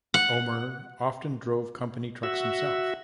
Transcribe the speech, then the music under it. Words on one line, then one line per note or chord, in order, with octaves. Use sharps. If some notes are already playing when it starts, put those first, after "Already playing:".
Omer often drove company trucks himself.
F#5
F#4 E5